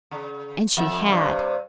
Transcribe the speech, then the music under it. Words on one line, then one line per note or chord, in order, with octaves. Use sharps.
And she had.
C#3
F2 E5
G2 C3